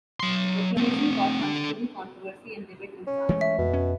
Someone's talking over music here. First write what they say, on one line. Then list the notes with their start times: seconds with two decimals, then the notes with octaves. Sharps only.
The proclamation caused considerable controversy and debate in France.
0.20 F#3 C6
0.77 A3 C4
1.41 D4 A4
3.07 C#4
3.29 E3 G#3 A3
3.41 E5
3.58 F2 B2
3.73 C#4